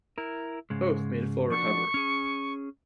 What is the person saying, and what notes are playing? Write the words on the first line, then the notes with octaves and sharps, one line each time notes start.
Both made a full recovery.
E4 A#4
G#2 C#3 G#3
F3 D4 F#4 C#6
C#4 G#4